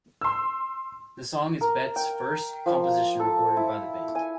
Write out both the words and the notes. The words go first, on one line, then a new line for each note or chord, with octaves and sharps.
The song is Betts' first composition recorded by the band.
C6 E6
A#4
G5
F3
A4
E4
G#5